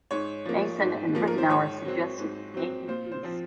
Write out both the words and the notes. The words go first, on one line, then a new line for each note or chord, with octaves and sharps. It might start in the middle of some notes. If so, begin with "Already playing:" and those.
Mason and Ritenour suggested Nathan East.
G#2 C#5
F3 A#3
G#2
F3 A#3
A#4
C5
G#2 C#5
F#3 C4
G#2
F#3 C4
A#2 C5
C5
F3 C4